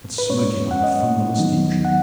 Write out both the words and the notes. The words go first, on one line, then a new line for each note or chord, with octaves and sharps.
And smoking like the funnel of a steamship!
B4
G#2 G#3 C#4 C#5
F#5
D#5
D#3 F#3 B3 D#4
F#5